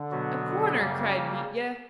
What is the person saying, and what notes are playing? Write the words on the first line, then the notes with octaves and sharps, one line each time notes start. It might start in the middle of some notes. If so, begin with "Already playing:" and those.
"A corner!" cried Mitya.
Already playing: D3
B2 F#3 B3 F#4
D3
F#2 C#3 G3 A#3